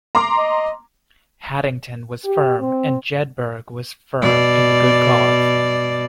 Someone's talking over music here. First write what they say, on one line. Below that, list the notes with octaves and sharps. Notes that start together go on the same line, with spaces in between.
Haddington was firm and Jedburgh was firm in the good cause.
A#5 C6 D6
D#5
G4
C4
B2 D5